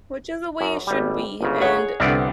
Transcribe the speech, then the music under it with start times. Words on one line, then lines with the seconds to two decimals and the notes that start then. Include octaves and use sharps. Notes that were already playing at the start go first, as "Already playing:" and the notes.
Which is the way it should be, and
0.61 F#2
0.87 G#1 G3
1.41 G1 G#2 C#3
1.61 G#4 C#5 F#5
2.00 C2 D3 B3 C4 D5